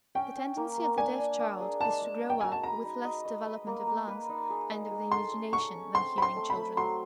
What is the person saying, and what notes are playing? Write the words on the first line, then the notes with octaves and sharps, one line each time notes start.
The tendency of the deaf child is to grow up with less development of lungs and of the imagination than hearing children.
C#4 G5
C#4
A#3
A#3
D4 G#5
D4
D4
G#4
G#3 A5
G#3
C#4
G5
F#4 G#5
A5
B4 A#5
D#4
D#5
D#5
B4
A#3
A#3
B4
D#4
G#4
D#4
G#4
A4 C6
C#4
C#4 C#6
C#4
C4 C6
C4 B5
C6
A3
B5
A3
F#3 C6